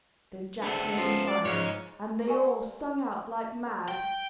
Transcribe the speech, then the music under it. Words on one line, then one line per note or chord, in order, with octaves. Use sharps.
Then Jack made a sign, and they all sung out like mad.
D2 B3 C4 D4 G#4 A4
F3 G#3 C#4
D5
G#2 C#3 F3 G#3 C#5
G4 A#4 D5 G#5 C#6
G5